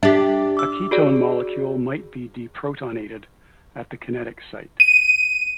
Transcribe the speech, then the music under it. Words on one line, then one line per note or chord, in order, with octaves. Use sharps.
A ketone molecule might be deprotonated at the "kinetic" site.
D4 G4 E5
D6 E6
F#4 G#4 D5
D#7